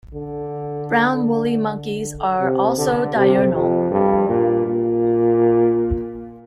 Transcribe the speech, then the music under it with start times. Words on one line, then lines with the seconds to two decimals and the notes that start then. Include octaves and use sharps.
Brown woolly monkeys are also diurnal.
0.13 D3
2.39 C3
2.77 D3
3.15 C3
3.53 F2
3.91 G2
4.28 A#2
4.65 A#2